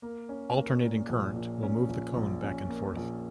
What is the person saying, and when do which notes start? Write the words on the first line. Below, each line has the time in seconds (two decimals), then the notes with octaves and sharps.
Alternating current will move the cone back and forth.
0.02 A#3
0.29 C#4
0.56 A#3
0.83 A#2
1.09 A#1
1.36 A#2
1.63 C#4
1.89 A#1
2.16 A#1
2.43 C#4
2.69 A#3
2.96 A#1